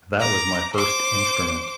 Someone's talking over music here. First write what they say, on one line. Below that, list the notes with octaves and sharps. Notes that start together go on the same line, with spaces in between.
That was my first instrument.
A#5 D6
C5 D6